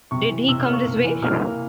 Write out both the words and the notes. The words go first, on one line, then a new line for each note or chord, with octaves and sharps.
Did he come this way?
C3 C#6
E3
C3 E6
F6
A#3
C#6
C3
E3
C3 F6
A#3